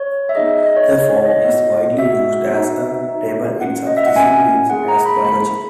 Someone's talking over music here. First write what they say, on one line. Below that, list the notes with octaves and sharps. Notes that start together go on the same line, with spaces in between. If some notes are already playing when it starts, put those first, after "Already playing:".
The form is widely used as a table in such disciplines as biology.
Already playing: C#5
E5
B3 D#4 G#4 D#5
D#5
D#5
C#5
B3 D#4 G#4 D#5
C#5
D#5
B3 F#4 D#5
B3 F#4 E5
B3 D#4 F#4
B3 D#4 F#4
A#3 C#4 F#4 F#5
D#5
E5
F#5
A#3 C#4 F#4 G#5
A#3 E4 G#4 F#5
A#5
B5
A#3 E4 G#4 B5
B5